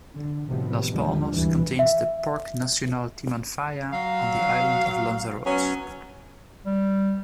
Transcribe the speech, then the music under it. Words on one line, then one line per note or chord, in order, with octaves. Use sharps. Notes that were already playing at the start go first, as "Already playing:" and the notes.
Las Palmas contains the Parque Nacional Timanfaya on the island of Lanzarote.
D3
A2 C3 D#3 F3 F#3 B3
D#2 D3 F3 G3 G#3
D2 G2 E3
E5
F#3 F5
F#3 B3 C#4
G3